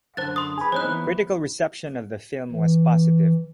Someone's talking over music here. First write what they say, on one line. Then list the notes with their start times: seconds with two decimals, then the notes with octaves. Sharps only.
Critical reception of the film was positive.
0.17 F#2 D3 C5 F#6 A6
0.36 C6 D#6
0.58 G#4 B4
0.72 F3 C4 D#4 C5 C#5 F#6
0.84 E3 B3
2.51 E3